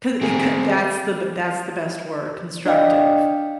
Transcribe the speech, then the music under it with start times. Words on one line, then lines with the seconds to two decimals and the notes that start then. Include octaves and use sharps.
Co it, c that's the b that's the best word, constructive,
0.21 C4 G#4
2.66 D4 D5 D#5 F5 G5